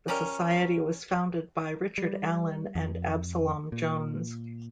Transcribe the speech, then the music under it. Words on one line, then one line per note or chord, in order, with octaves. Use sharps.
The Society was founded by Richard Allen and Absalom Jones.
F3 G3 C#4 A#4
G3
F2
A#2